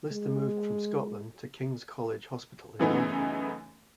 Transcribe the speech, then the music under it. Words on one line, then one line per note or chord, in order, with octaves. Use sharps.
Lister moved from Scotland to King's College Hospital, in London.
G#3
F#2 C#3 E3 A3 B3 D#4